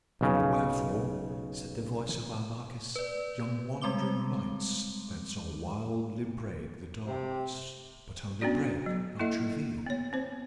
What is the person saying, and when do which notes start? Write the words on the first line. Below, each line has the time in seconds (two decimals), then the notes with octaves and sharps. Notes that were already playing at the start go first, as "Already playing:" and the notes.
'And wherefore, said the voice of Arbaces, 'yon wandering lights, that so wildly break the darkness; but only break, not reveal?'
0.21 B1 C#3
2.96 B4 D5
3.82 G3 G#3 C4 C6 D6 G7
7.06 C3
8.41 B3 C#4 D4 F#4 D5
8.86 F#3
9.19 A#3 E4 A4 D#5 E5
9.86 B3 C#5
10.13 C4 C5